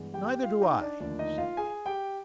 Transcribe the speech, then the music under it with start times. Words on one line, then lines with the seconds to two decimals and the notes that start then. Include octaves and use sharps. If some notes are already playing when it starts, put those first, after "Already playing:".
"Neither do I," said Bince.
Already playing: G2 E3 G#3 B3
0.14 G4 G5
0.43 F4 F5
0.62 D#4 D#5
0.81 D4 D5
1.00 D#2 D3 F3 A3 D4 D5
1.19 D#4 D#5
1.38 F4 F5
1.57 G#4 G#5
1.86 G4 G5